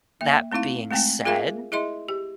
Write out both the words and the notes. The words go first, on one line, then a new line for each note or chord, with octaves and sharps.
That being said,
A#3 E5
A3 C4 D#4 E4 F5
G#3 A3 C4 G5 G#5
F4 G#4 A#4 E5 F5 G#5
E4 G#4 D#5 E5 C6
G4